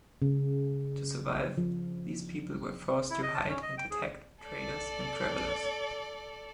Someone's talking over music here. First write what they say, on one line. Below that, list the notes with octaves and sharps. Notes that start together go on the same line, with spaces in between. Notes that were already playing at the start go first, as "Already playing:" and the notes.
To survive, these people were forced to hide and attacked traders and travelers.
C#3
F3
E4
D#5
A5
C#4
D#5
G5
G#4
A4 D5